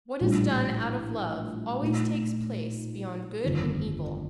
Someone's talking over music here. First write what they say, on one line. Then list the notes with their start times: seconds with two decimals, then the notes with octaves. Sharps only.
What is done out of love always takes place beyond good and evil.
0.20 A#1 A2 G3 D4 F4
1.81 A#2 A3 D#4
3.44 G1 F2 D#3